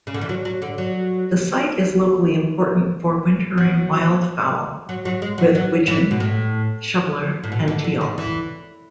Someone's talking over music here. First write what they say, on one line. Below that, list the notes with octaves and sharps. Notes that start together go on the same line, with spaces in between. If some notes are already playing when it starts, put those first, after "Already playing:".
The site is locally important for wintering wildfowl, with wigeon, shoveler and teal.
C#3
D3
E3
F#3
F#3
D3
F#3
F#3
F#3
F#3
G#3
F#3
F#3
E3
B2
A2
A2
B2
D3
D3
D3
E3